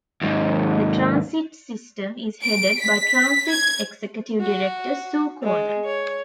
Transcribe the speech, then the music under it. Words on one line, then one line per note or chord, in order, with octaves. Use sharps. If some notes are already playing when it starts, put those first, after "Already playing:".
The transit system is headed by Transit Executive Director Sue Connor.
D#2 G#2
D7
B6
G#6
F#4
G#3
C#5